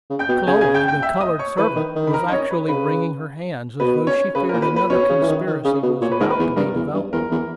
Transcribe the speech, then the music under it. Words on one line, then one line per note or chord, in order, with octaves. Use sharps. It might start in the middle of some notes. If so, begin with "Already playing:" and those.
Chloe, the colored servant, was actually wringing her hands, as though she feared another conspiracy was about to be developed.
C#3
G5 G6
B2
G6
C#3 G#5 G#6
G#5 G#6
G5 G6
G5 G6
E5 E6
D#5 D#6
C#5 C#6
E3 B4 B5
D#3
D#3
B5
A#4 A#5
D#5
C#4 C#5
B4
C#3 B4
B2 B4
C#4 C#5
C#3 B4
A#4
A#2
B4
A#2
B4
B2 C#4 C#5
C#3
E3
D#3
D#3
C#3
B2
A#2 C#5
B4
G#2 A#4
B4
E2
G2 A#4
E2
G2
E2 A#4
E2